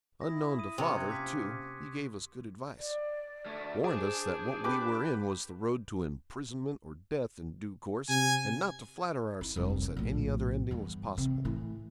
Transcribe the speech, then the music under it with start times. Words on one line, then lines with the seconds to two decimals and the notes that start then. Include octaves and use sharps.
Unknown to father, too, he gave us good advice, warned us that what we were in was the road to imprisonment or death in due course, and not to flatter ourselves that any other ending was possible.
0.21 E4 D#6 A#6
0.59 D#6 D#7
0.78 C3 F3 A#3 C#4 C6 C#6 C#7
0.97 F#6 G#6
1.09 D6 G#6 B6
2.78 D5
3.46 D2 A3
3.84 D4 G#4 C5
4.64 G4 B4 D6
8.09 C3 G#5
9.41 E4
9.56 F1 C2
9.97 A#1 A2
10.71 E2 G2
11.18 C3
11.45 A2 E3